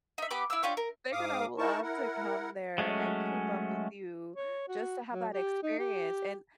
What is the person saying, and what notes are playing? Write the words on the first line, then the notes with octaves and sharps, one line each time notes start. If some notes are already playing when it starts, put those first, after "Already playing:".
they're gonna love to come there and coop up with you just to have that experience, and
D#4 E5
B3 G4 B5 D6
E4 F5 E6
D4 F4 G4 C#5
A#4
G#2 F5 D6 D#6
D#4 E4 A#4 A5 C#6
E4 A#4 F#5
F#3 G#3 A3 C#4
C#5
F#4
F#3
G4
D#4
G4